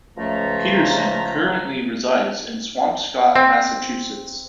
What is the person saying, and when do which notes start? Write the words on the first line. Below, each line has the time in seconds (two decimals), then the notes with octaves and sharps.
Pederson currently resides in Swampscott, Massachusetts.
0.17 C#2 F3 A3 A#5
3.36 C4